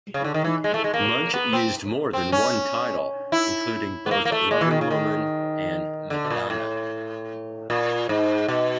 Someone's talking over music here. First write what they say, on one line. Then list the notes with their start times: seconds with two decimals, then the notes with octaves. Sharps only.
Munch used more than one title, including both "Loving Woman" and "Madonna".
0.14 C#3
0.24 D3
0.34 D#3
0.44 E3
0.64 G#3
0.74 A3
0.84 G#3
0.94 A#3
1.34 B3
1.53 C4
2.13 C4
2.32 C#4
3.32 E4
4.06 B3
4.11 A#3
4.25 A#3
4.32 A3
4.51 G#3
4.61 E3
4.71 D#3
4.81 C#3
4.91 D#3
6.10 D3
6.25 B2
6.30 A#2
6.50 A2
7.70 A#2
8.09 G#2
8.48 B2